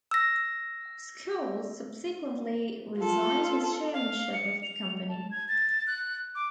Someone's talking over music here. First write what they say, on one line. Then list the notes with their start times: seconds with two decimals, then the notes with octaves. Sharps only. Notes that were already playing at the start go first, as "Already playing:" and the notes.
Schulze subsequently resigned his chairmanship of the company.
0.11 E6 A#6
2.99 F4 A4
3.93 F5
4.33 C#7
4.63 F7
5.08 A5
5.31 G#6
5.48 A6
5.87 F#6
6.35 D6